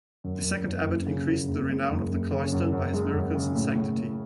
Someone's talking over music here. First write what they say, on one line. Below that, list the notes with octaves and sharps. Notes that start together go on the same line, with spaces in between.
The second Abbot increased the renown of the cloister by his miracles and sanctity.
F#2
F#2
F#2
F#1
C#3
F#2
F#1
G#3
F#1
F#1
C#3
F#2
F#2
G#3
F#2
C#3
A2
A2
A2